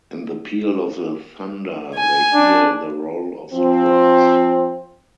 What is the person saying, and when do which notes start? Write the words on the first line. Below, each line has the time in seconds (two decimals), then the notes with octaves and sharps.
In the peal of the thunder they hear the roll of the drums.
1.95 G#5
2.34 D4
3.53 F3 C4